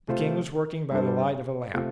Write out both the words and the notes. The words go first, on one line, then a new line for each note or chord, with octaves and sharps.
The king was working by the light of a lamp.
C3 A3 F4 C5
G2 G3 D4 A4 C5
C3 A3 C4 F4